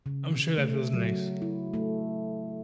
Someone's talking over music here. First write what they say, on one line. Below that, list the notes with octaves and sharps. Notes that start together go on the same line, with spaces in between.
I'm sure that feels nice.
C#3
A3
F#3
E4
A3